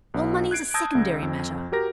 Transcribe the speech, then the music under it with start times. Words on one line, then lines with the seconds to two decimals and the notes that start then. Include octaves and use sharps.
Well, money is a secondary matter.
0.14 B1 B3
0.51 F#6 G#6 C7 D7
0.74 A5 D#6 E6 G6 G#6 A#6
0.95 C#2
1.22 F2
1.72 F#4 G4 A#4 A#6